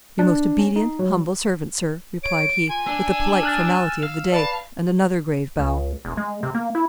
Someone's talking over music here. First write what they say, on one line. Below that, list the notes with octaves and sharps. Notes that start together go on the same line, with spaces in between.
"Your most obedient, humble servant, sir," replied he, with the polite formality of the day, and another grave bow.
D4
C#4
D#4
F#3
C#5 D7
F4 G#5
D4 E6
F6 F#6 A6
F5 F6
B4 D5 A5 B5
C#2
E1
G#3
C3
A#3
E4